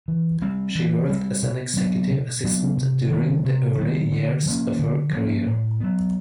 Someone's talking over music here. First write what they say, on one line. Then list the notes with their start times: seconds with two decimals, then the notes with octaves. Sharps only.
She worked as an executive assistant during the early years of her career.
0.08 E3
0.42 G3 C4
0.75 E3
1.09 G3 C4
1.42 B2
1.76 F#3 B3 D4
2.10 B2
2.44 F#3 B3 D4
2.77 C3
3.11 D#3 G#3 B3
3.45 C3
3.78 D#3 G#3 B3
4.12 D3
4.46 F3 A#3 C#4
4.79 D3
5.13 F3 A#3 C#4
5.46 A2
5.80 F#3 B3